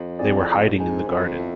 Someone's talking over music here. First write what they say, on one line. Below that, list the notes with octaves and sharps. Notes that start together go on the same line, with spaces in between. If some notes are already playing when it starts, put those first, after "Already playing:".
They were hiding in the garden.
Already playing: F2
C4 E4 G#4 D5 G#5
A2
G#2 D4 G#4 C5 G#5
F2
B3 E4 A4 E5